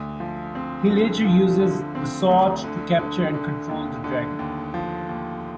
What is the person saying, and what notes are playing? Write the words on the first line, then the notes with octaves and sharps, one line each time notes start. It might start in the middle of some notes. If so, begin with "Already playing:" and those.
He later uses the sword to capture and control the dragon.
Already playing: D2
F3
C4
D3
F3
D3
C4
D2
D3
D3
D3
D#2
D3
D#2
F3
D#2